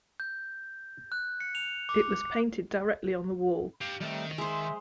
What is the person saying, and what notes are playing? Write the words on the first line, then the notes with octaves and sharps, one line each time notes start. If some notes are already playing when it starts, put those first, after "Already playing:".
It was painted directly on the wall.
G6
F#6
C#7
F7
D6
G4 F5
D#3 G3 A3 C4
G#3 C5 E5